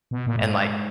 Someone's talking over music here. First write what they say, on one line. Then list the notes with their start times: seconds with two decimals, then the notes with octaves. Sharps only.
and, like,
0.11 B2
0.27 A#2
0.36 A2
0.42 G#2